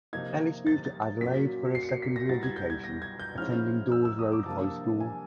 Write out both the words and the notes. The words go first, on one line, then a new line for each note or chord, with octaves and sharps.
Ellis moved to Adelaide for her secondary education, attending Daws Road High School.
C3 F3 A#3 D#4 G#6
A6
A6
A#2 F#3 A#3 C#4 B6
C7
C#7
C7
B6
A#6
C2 B2 G3 A6
G#6
G6
G#6
A#6
G#6
G6
G#2 F3 G#3 C#4 E4 F6
E6
E6
D#6
D6
C3 F3 A#3 D4 A5
G#5